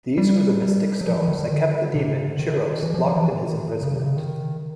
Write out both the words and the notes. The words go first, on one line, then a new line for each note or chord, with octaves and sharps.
These were the mystic stones that kept the demon Chiros locked in his imprisonment.
G3
G3
F#3
F3
E3
D#3
D#3
D3
C3
C#3
D3
D#3
E3
F3
F3
E3
D#3
C#3
C3
C#3
D#3